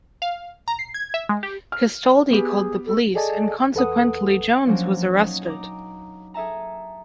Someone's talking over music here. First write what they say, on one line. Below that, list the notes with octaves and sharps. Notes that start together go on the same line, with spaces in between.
Castaldi called the police and consequently Jones was arrested.
F5
A#5
C7
G#6
E5
G#3
G4
F6
B3 G4 G#4
A4
G#4 A4 D5 D#5 G#5 A5
E2 A4 B4 F#5 D#6
F3 F#3 A#3 C#4 D4
C#4 D#4
D#4 A#5 D6
G#4 A4 E5 A5 A#5